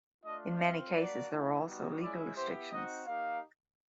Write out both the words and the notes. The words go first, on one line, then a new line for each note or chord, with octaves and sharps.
In many cases there are also legal restrictions.
A3 D4 F4 D#5
C4 F4 E5
A#3 D4 F#4 D5
A3 C4 E4
G3 B3 D#4 F#4
G#3 C#4 E4 D5
B3 E4 G4 C5
C4 D#4 F#4 D#5
A#3 D#4 G4 F5